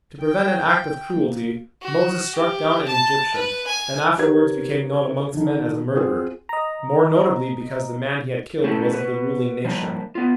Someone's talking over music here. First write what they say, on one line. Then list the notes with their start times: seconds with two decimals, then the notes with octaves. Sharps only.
To prevent an act of cruelty, Moses struck down an Egyptian and afterward became known among men as a murderer, more notably because the man He had killed was of the ruling nation.
0.19 G5
1.14 A#3
1.82 F#4
2.35 G4
2.88 A5
3.34 B4
3.67 G#5
4.18 D#4 G4 A#4 B4 C#5 G#6
5.33 D3 D#3
5.95 C4 F4 F#4 G#4 C5
6.49 D#5 A#5
8.64 A3 C#4 E4 G4 A4 B4
8.93 F#4 B4
9.65 F3 G3 A#3 D4
10.15 B3 F4